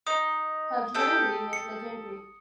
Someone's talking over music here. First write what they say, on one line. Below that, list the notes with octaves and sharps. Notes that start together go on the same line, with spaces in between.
Her jewelry was legendary.
D#4 D#6
G4 A4 G5
C#7